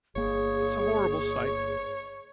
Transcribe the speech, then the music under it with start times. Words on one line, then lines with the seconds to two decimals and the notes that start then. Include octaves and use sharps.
It's a horrible sight.
0.16 G1 A#3 G#4 C#5